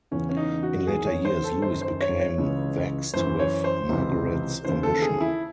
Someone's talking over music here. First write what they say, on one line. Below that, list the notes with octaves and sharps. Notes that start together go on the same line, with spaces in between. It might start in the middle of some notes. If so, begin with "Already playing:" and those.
In later years Louis became vexed with Margaret's ambition.
E2 C#3 E3 C#4
C#4
D#4
F#4
E2 D#3 G#4
C#5
C5
A4
F#2 D#3 C5
C5
C#5
C#5
C#2 C#3 E3
F#2 E3 C5
C#5
C5
C#2 C3 E3
D#2 C#3 E3 C5
A4
G#4
E4